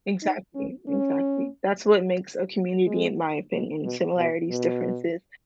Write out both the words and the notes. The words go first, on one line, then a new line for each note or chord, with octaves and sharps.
Exactly, exactly, that's what makes a community in my opinion, similarities, differences,
D#4
C#4
C#4
G#3
B2
B2
B2
B2